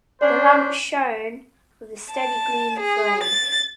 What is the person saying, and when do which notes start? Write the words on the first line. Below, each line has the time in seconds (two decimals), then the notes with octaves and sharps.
The lamp shone with a steady green flame.
0.21 C#4 D4 C5 D5
2.12 A5
2.79 G#4
3.24 A6